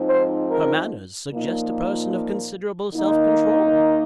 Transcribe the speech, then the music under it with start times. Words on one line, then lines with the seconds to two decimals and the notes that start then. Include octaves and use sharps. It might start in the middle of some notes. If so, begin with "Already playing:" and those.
Her manners suggest a person of considerable self-control.
Already playing: G#2 F3 C4 D#4
0.10 C5
0.50 A#4
1.31 A#2 F3 A#3 D#4
2.13 A#4
2.94 D#3 A#3 D#4